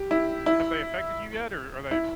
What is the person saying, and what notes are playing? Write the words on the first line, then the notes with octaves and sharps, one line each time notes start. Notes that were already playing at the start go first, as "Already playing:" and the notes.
have they affected you yet, or are they
Already playing: G4
E4
E4
E4